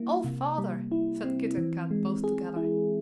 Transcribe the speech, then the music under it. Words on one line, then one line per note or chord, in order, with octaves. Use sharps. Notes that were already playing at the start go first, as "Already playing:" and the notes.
"O Father!" said Kit and Kat both together.
Already playing: G3 A#3 E4
C3
G3
E4
C4
E3
G#3
G#4
E4